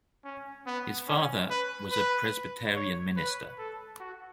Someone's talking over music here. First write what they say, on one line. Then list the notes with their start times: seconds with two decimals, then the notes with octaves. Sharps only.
His father was a Presbyterian minister.
0.24 C#4
0.66 B3
1.08 C#4
1.50 B4
1.92 B4
2.75 C#5
3.16 B4
3.58 A4
4.00 F#4